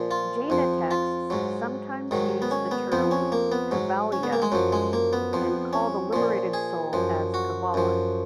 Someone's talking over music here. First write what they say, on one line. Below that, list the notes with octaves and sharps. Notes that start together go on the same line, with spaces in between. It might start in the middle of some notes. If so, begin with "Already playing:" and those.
Jaina texts sometimes use the term Kevalya, and call the liberated soul as Kevalin.
Already playing: A#2 F3
F4
F2 F3
F4
G#2 F#3
G#2 D#3 F#3
B3
C#4
B3
F2 F3 B3
C#4
A#3
B3
G#2 F#3
C#4
B3
A#3
G#3
F#2 F3 F#3
G#3
A#3
B3
F2 F3
C#4
A#2 F3
G#4
F#2 F3
F#4
F#2 F3